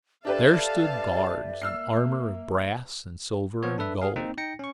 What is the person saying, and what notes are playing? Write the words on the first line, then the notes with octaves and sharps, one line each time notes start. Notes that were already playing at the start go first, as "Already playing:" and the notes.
There stood guards in armor of brass and silver and gold.
D4 G4 A4 B4 D5 E5 F5 A5
A#3 E6 F6 C7
F3 B3 C#5
D4 A4 B4 E5
G#4 F5
A#3 C4 D#4
D#4 G5 A#6 C#7
C#4 C#6